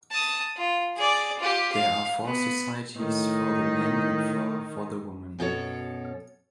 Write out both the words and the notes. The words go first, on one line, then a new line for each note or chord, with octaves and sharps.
There are four societies for the men and four for the women.
A5 D#6
F4
G#4 D5
F4 G4
F5
B3
A2 D#3 D#4
F#2 B2 A4 C#5